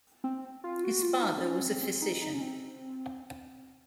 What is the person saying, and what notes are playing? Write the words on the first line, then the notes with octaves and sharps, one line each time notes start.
His father was a physician.
C4
F4
F#4
F4
D#4
C4
C#4
C4
C4
D#4
D#4
C#4
C4